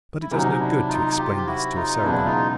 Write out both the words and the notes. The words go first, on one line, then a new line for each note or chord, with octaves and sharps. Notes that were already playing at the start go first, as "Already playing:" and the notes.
But it does no good to explain this to a Cerebral.
E4
C3 D#3 F#3 C#4 D#4
D#4
D4 E4
D#4 F4
F4 G4
G4
E4 F#4
D#4 F4
F4
E1 E2 C#3 F#3 B3 D4 E4
D#4 F4